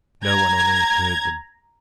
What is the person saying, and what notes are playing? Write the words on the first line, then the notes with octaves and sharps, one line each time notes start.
No one on earth heard them.
A#5 G#6